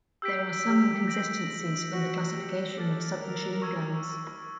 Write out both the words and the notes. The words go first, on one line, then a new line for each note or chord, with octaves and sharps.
There are some inconsistencies in the classification of submachine guns.
G4 E6 G6 B6 D7
G4
G6 A#6 D7 F#7
F#4 F#6 A#6 C#7
G4
A4 D6 F6 A6
A#4
C#6 E6 G#6